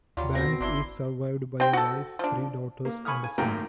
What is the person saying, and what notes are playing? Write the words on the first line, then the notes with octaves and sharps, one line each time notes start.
Banks is survived by a wife, three daughters and a son.
D#2 F#3 G3 F4
B2 C4 A#6
G1 A#3 D4 E4 C6
C4 G5
F#4 A4
F3 D4
A#3
G#5 B5 C#6 D#6 F6
G#5
G#1 F#2 A2 A#3 G5 A#5